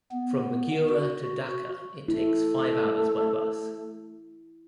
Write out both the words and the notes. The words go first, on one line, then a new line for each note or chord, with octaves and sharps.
From Magura to Dhaka it takes five hours by bus.
B3
F#4
A3 E4